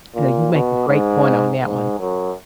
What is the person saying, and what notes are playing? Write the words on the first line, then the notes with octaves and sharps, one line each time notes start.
So you make a great point on that one.
A#2
B2
G#2
G#2
F#2